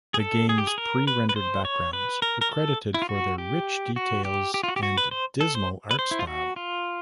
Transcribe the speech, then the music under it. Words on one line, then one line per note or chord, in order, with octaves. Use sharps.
The game's pre-rendered backgrounds were credited for their rich details and dismal art style.
G#4
A4
G#4
G4
G#4
A#4
B4
B4
C5
C#5
B4
A#4
A#4
A4
E4
F4
F#4
G4
F#4
G4
G4
F4
F#4
G4
F#4
B4
C5
A4
C5
B4
C5
E4
F4
F#4
F4